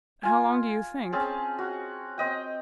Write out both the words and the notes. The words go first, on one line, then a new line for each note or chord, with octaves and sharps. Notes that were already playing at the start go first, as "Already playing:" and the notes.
'How long do you think?'
F4 G#5
C4 C#4 G#4 A5
F#4
C4 D#5 G5